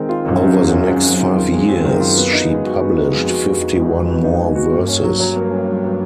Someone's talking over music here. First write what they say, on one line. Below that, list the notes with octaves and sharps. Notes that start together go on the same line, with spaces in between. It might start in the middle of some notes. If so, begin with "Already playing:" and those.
Over the next five years she published fifty-one more verses.
Already playing: D#3 G#3 C4
F4
F#2 G#3
C4
D#3
F4
G#3
C4
D#3
F4
F#2 G#3
C4
D#3
F4
B3
D#4
G#3
F#4
B3
D#4
F2 G#3
F#4
F2 B3
D#4
G#3
F#4
B3
D#4
G#3
F#4
G2 A#3
C#4
F#3
F#3
A#3
C#4
F#3
F#3